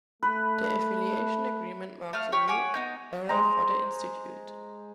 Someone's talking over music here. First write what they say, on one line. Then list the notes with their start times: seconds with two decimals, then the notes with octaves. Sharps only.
The Affiliation agreement marks a new era for the institute.
0.23 A3 B4
2.13 A3 F5 F6
2.32 G4 C#5 C#6 F6
2.48 C#5 F#5 G#5 D6
2.74 B3 D#4 G6
3.29 G#3 C5 A#5